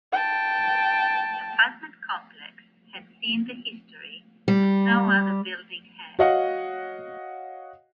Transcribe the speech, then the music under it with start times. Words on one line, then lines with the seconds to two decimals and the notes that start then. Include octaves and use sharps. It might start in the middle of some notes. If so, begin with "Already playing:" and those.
The apartment complex had seen the history as no other building had.
0.12 G5 A5
4.48 G3
6.19 F#4 C#5 D#5 F5 F#5